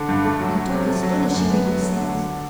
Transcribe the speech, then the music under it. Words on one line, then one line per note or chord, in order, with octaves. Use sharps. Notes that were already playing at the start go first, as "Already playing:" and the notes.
You talk astonishingly good sense.
Already playing: D3
G2
A3
F#3
F#3
C3
A3
F#3
D3
F#2
B3
F#3
A3
D3
D3